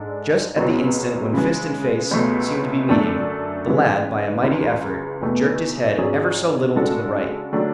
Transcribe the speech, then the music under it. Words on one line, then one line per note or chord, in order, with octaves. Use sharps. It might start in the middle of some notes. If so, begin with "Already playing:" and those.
Just at the instant when fist and face seemed to be meeting, the lad by a mighty effort, jerked his head ever so little to the right.
Already playing: G#2 G#3 D4 A4
C#2 B2 F#3
C#3 E3 G#3
C#2 B2 F#3 A3
F#2 D3 A3 D4 A4
C#3 E3 G#3
C#2 C#3 E3
E2 B2 A3
G#2 F#3 C#4 G#4 D5
C#3 G#3 D4 F#4 A4
D3 F#3 A3 D4